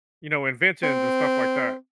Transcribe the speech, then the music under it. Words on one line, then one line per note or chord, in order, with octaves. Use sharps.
you know, inventions and stuff like that.
C4